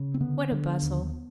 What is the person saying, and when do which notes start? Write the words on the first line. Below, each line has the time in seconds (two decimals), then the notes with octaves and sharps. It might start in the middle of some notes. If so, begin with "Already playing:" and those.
What a bustle!
Already playing: C#3
0.14 C4
0.21 D3 B3
0.52 D3
0.83 D#2